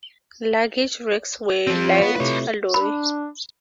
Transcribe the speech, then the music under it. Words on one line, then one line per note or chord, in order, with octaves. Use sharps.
Luggage racks were light alloy.
F3 C4
E4 F4 C#5
B3
C3 A3 E4 B4 C#5
D4 B5